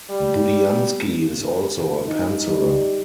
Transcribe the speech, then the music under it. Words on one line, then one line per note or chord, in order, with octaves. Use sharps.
Budiansky is also a penciller.
G3
D#4
G3